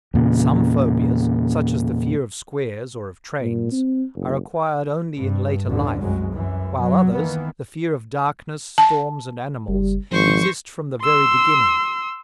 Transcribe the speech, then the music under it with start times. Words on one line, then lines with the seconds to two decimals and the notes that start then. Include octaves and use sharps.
Some phobias, such as the fear of squares or of trains, are acquired only in later life, while others, the fear of darkness, storms and animals, exist from the very beginning.
0.14 E2 A#2 C#3
3.41 A#2
3.72 C4
4.15 F#1
5.18 G2
5.66 A1 D#2 D3
6.00 C2 F#2 F#3 G#3
6.32 F#2 E3
6.78 F#3
7.12 D#3 E3 A#3 B3
8.78 A5
9.68 F#1 G3
10.11 G#1 F3 C5 C#6
11.02 C6 E6